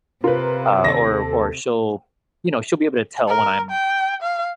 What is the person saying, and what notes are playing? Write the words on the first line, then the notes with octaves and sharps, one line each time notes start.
uh or or she'll you know, she'll be able to tell when I'm
C3 F4 A#4 B4
D#2 A4 A#6
A#4
G5
F5